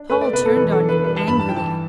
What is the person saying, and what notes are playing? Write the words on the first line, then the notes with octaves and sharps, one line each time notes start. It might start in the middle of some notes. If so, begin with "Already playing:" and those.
Paul turned on him angrily.
Already playing: D4
A3 B4
D5
B2 B4
A4
E3 B4
A4
D4
B4
G3 B4
A5
G2 B5
A5
E3 G5
A5